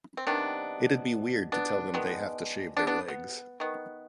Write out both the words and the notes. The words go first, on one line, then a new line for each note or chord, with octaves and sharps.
It’d be weird to tell them they have to shave their legs.
C4
C3 D#3 G3 B3 D4
B3 D4
D#3 G#3 B3
B3 D4
B3 D4
B3
D#3 B3